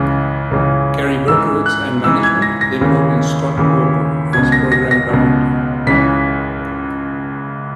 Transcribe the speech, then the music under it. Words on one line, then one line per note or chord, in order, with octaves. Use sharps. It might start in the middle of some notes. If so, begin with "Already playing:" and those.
Gary Berkowitz and management then brought in Scott Walker, as program director.
Already playing: C#2 C#3 E3
C#2 C#3 E3
G#2 E3 E6
F#6
G#2 E3 E6
G#6
A#6
A#6
D#2 C#3 E3
D#2 C#3 E3
C#2 B2 G#6
A#6
A#6
A#6
C#2 B2
C#2 C#3 E3 B6